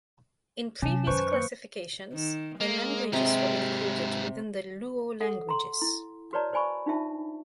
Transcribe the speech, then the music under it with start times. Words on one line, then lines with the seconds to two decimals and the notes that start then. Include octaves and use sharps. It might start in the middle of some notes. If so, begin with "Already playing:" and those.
In previous classifications, the languages were included within the Luo languages.
0.82 C3 F#3 C#4 A5
1.07 F#2 D#3 B4 C5 C#6
1.33 A#3 B4 C#7
2.13 D#3
2.61 G#3 A#3
3.13 G#2 C3 G4 A#5
5.20 A4 F#5
5.49 A#5 C6
5.82 E4
6.33 F#4 B4 C#5 D5 A5 A#5
6.53 C5 D5 G#5 B5 C#6
6.86 D4 D#4 F4 C5 E5 A5